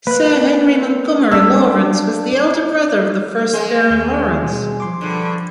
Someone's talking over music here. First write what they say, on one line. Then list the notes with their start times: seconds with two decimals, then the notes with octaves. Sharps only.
Sir Henry Montgomery Lawrence was the elder brother of the first Baron Lawrence.
0.07 A#3 B4 F#6
1.31 D4 E6
3.53 G#3 C4
3.90 D#2
4.44 B2 G3 G#4
4.80 F3 C6 D6
5.01 G2 D3